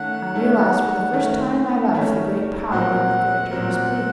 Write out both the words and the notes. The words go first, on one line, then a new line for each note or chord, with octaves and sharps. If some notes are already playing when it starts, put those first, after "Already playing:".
I realised for the first time in my life the great power that the theatre must be.
Already playing: D#3 A3 C#4 F#5
D#3 A3 C#4
D#3 A3 C#4
D#3 A3 C#4
A#2 F#3 C4 F#4 A#4 F#5
A#2 F#3 C4 F#4 A#4